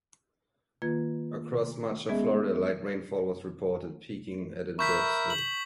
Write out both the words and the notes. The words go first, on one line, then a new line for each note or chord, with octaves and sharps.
Across much of Florida, light rainfall was reported, peaking at in Brooksville.
D#3 A#3 F4 B4 G#6
G#3 B3 C#4 G#4 D#5 E5
A#4 E5 B5 C#6 G6 B6
F#7